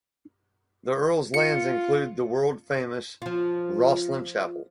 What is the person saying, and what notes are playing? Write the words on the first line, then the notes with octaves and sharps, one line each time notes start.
The Earl's lands include the world-famous Rosslyn Chapel.
F4 C#7
F3 F4